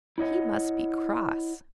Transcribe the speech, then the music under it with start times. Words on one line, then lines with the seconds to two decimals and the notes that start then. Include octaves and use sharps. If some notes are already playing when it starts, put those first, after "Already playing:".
"He must be cross."
0.18 E4 C#5 D#5 F#5